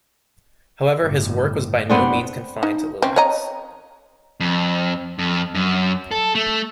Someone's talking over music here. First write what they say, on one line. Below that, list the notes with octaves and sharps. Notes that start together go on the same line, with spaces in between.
However, his work was by no means confined to lilacs.
G1 A2
F#1 B3 C4 D4
D#4
C4 C#4
C#5 D#5 A#5
F2
F2
F#2
A4
A3